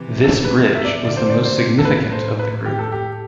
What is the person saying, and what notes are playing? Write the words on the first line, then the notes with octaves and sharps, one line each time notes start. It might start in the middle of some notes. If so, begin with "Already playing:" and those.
This bridge was the most significant of the group.
Already playing: C3 E3
A4
B4
E5
D5
D3 D5
C5
D5
C3 C5
A4
A2 B4
C5
B4
G4
A4
G4